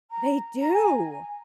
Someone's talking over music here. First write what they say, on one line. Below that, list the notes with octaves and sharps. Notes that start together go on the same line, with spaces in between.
They do!
A#5
A#5
G#5